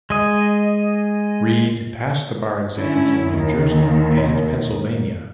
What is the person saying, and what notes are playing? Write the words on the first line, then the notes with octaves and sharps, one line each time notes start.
Reid passed the bar exams in New Jersey and Pennsylvania.
G#3 D#5
D3 C#4 E4
D#2 D#3